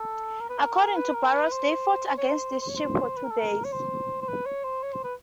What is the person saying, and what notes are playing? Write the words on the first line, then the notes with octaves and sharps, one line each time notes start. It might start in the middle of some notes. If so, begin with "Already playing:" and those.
According to Barros, they fought against this ship for two days.
Already playing: A4
A#4
B4
A#4
B4
A#4
B4
C5
C5
C#5
C5
C5
C#5
C5
B4
A#4
A4
A#4
C#5
C5
C5
B4
C#5
C5
C#5
C5
B4